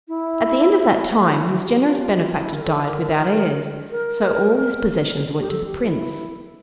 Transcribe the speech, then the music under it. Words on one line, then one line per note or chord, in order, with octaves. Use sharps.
At the end of that time his generous benefactor died without heirs, so all his possessions went to the prince.
E4
E4
E4
G4
F4
G4
F4
G4
F4
E4
A#4
A4
A#4
A#4
G4
A4
G4
E4